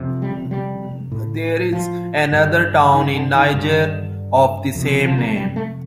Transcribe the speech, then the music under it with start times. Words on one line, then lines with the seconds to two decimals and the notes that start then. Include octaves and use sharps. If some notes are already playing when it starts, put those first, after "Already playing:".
There is another town in Niger of the same name.
Already playing: F2 C3
0.22 G3
0.51 G3
1.12 A2
1.73 F3
2.32 G2 D3
2.94 D#3
3.14 D3
3.34 D#3
3.54 G2 D3
4.75 F2 C3
5.05 F3
5.18 A#3
5.26 A3
5.35 G3
5.56 A3